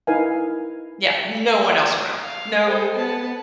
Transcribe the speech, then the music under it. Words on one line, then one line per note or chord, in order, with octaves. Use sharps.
Yeah, no one else around. No
D#4 E4 A#4 B4 F5 G#5
F5
A4 C5
B3 A5